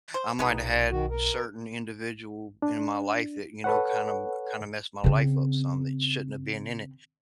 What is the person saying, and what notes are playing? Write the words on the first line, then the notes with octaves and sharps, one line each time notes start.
I might had certain individual in my life that, you know, kinda m kinda messed my life up some that shouldn't have been in it.
C5
B1 G#3 B3 D#4
D#3 F#4
A#4
D4
A4 B4 C#5 F#5
C#3 C4